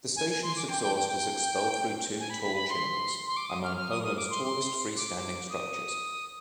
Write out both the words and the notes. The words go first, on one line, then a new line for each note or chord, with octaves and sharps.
The station's exhaust is expelled through two tall chimneys, among Poland's tallest free-standing structures.
G#5
G#5
C6
D6
G5
G5
G5
G5
G#5
B5
B5
B5
C6
C6
D6
D#6
F6
F6
D#6
D#6
D6
C6
C6
D6
D#6